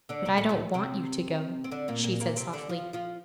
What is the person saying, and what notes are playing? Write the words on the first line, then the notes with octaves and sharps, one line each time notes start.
'But I don't want you to go,' she said softly.
D3 D4
C3 C4
A2 A3
A2 A3
C3 C4
C4
D3 D4
A#2 A#3
A#2 A#3
A#2 A#3
C3 C4
D3 D4
F3 F4
F3 F4